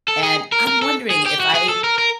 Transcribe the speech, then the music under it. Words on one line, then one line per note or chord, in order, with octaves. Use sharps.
and I'm wondering if I
A4
G#4
A#4
A#4
A4
G#4
G4
F#4
G#4
A4
A#4
A#4